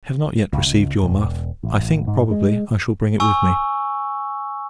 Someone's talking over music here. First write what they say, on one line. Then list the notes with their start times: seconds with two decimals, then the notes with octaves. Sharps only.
I have not yet received your muff; I think, probably, I shall bring it with me.
0.53 C#2
0.66 C#2
1.03 E1
1.63 A1
2.07 G#2
2.31 G#3
3.20 G#5 C#6 E6